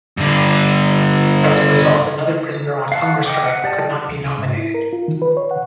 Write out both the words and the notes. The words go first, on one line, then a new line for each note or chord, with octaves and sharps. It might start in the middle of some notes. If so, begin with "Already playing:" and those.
As a result, another prisoner on hunger strike could not be nominated.
G2 D3
F5 F#5 A5
D#5 F#5 G5 D6
F#5
G4 D5 D#5 A5
D2
C#3
G#2
E4
A#4
F4
D#3
B4
C#5
F#5